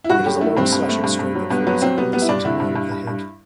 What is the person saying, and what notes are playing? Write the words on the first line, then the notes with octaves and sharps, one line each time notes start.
It is a long slashing stroke that falls on the centre-line of the head.
E4
G2 F#4
F#3 G4
A3 E4
G2 C4
G2
A3
G2
G2
F#3
G2 B3
F#3 B3
F#3 C4
G3 B3
G3 B3
E4
G2 D4
D3 E4
G2
G2
G2
G2